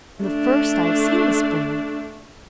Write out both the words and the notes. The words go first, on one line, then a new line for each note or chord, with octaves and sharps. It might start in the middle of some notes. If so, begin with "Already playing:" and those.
And the first I have seen this spring.
A3 D4